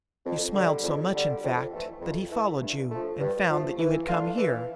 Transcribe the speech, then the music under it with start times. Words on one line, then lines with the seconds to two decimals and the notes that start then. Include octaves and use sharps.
You smiled so much, in fact, that he followed you and found that you had come here.
0.25 F2
0.54 D3 G3
0.83 F2
1.13 D3 G3
1.43 F2
1.72 E3 A3
2.01 F2
2.30 E3 A3
2.61 G2
2.90 F3 A3
3.20 G2
3.49 F3 A3
3.78 E3
4.08 A3 D4 F4
4.37 E3